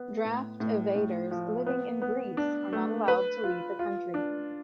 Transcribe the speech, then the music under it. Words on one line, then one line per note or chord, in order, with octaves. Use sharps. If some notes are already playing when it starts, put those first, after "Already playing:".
Draft evaders living in Greece are not allowed to leave the country.
Already playing: B3
A2
A2
A2
F3
B3
B3
D4
A3
B4
F4
F4
D4